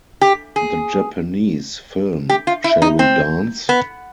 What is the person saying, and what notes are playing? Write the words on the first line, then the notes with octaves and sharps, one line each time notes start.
The Japanese film Shall We Dance?
G4
G#4
G4
F4
E4
D#4
C4
B3